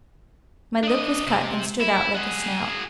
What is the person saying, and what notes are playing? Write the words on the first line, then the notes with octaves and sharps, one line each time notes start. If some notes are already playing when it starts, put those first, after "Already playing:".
My lip was cut and stood out like a snout.
D4 D#5
C3 C4
E4
F#4 G#4